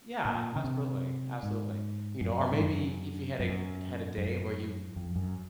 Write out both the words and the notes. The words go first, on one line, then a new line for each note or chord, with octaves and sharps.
Yeah, absolutely, absolutely. You know, or maybe if you had a had a day where you've
A#2
C#3
C3
G#2
F#2
G#2
F#2
F#2
F#2
F2
F#2